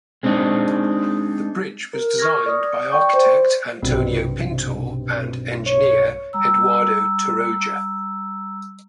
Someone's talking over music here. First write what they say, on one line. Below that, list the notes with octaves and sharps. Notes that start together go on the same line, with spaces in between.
The bridge was designed by architect Antonio Pintor and engineer Eduardo Torroja.
G#3 C4 D4 D#4
A#4
C#6 F6 G#6 A#6
D5 D#6
D5 G5 C#6 G6
C5
B1 G2 C3
C#5
G3 A#5 E6